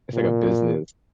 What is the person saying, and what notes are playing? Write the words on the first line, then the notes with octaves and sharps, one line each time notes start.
it's, like, a business
A#2